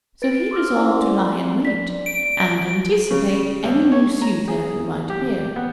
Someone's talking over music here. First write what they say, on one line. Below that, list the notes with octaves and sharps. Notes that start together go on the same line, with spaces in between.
So he resolved to lie in wait, and anticipate any new suitor who might appear.
B4 A6 D7
C6 D6 E6 F6
C#4 E4 C5 D5 F#5 G#5
A4 D5 C6
G#5 C6
C4
D5 B6
D7
C#3
D#2
C#5
A#5
G#4
G4
B3